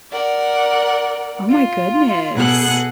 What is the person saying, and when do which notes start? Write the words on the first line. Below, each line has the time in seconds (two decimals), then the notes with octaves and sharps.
Oh my goodness.
0.12 A#4 D5 F#5
1.49 F4
2.34 B2 G#4 A4 F#5 F#6